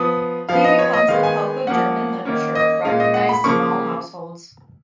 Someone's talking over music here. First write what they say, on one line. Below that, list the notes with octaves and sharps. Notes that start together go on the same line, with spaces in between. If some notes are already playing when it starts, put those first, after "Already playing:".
He becomes the Pope of German Literature, recognized in all households.
Already playing: F3 B3 D#6
F3 B3 F5
D#5
C#5
D#5
D#3 G#3 B3 F5
G#5
F3 A#3 C#4 F#5
D#3 A#3 C#4
D#5
A#2 G#3 C#4 F5
D#5
F#5
B5
C#3 F3 A#3 C#4 C#6